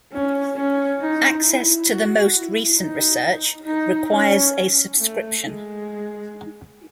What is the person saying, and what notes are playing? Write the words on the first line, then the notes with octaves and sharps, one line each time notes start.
Access to the most recent research requires a subscription.
C#4
C#4
D#4
E4
F#4
E4
D#4
D#4
C#4
A3
G#3